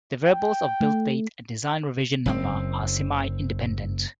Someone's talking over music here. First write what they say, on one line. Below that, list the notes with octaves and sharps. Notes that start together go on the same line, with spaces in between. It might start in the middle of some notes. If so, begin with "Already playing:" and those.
The variables of build date and design revision number are semi-independent.
G5
A3
F#1 A#2 C4